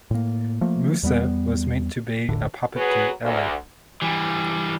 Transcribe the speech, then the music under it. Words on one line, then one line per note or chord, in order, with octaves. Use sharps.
Musa was meant to be a puppet to 'Ali.
A2 A#3
F3 A3 A#3
E2 G3 A#3 B3
D#1 A1 A2 D3
F#3 B3 G#4 B4
D2
E3 G3